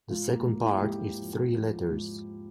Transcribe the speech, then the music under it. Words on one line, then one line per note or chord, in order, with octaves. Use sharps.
The second part is three letters.
G#2 F4
A#3
G#2
E4
G#2 G4
F3
F3
G#2